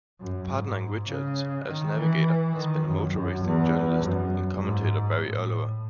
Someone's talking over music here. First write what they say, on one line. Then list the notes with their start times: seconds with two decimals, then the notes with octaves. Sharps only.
Partnering Richards as navigator has been motor racing journalist and commentator Barry Oliver.
0.20 F#2
0.49 G#2
1.08 C#3
1.67 D#3
1.97 E3
2.56 D#3
2.86 F#2
3.15 F#2
3.44 E2
4.04 F#2
4.62 G#2
5.21 A2